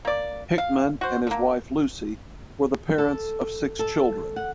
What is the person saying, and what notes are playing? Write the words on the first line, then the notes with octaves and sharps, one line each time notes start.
Hickman and his wife Lucy were the parents of six children.
A#3 D5
F5
F#4 C5
D3 A#3
A4
A4
F#5